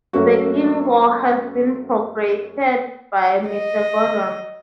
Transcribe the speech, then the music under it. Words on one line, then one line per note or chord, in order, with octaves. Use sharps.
The ginkgo has been propagated by Mr. Gordon.
F#2 F#3 A3 A#3 C#4 F#4
D#5